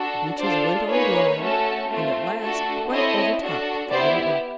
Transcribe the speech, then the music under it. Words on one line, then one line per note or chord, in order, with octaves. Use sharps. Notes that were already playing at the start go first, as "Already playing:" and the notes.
The Beeches went on growing, and at last quite overtopped the Little Oak.
Already playing: D4 F#4 A4
D4 F4 A4 C5 D5
A#3 D#4 G#4 B4 C#5
A3 C#4 F#4 A4
A3 C4 F4
A3 D4 F#4 A4
C4 E4 A4 C#5 D#5
D4 F#4 A4
B3 E4 G4 C5 D5